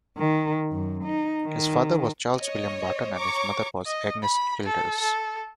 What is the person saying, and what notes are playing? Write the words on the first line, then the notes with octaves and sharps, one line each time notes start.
His father was Charles William Barton and his mother was Agnes Childers.
D#3
F#2
D#4
D#3
C#5 D#5
C#5 A#5 C#6 D6
D#5
B5
A4
A4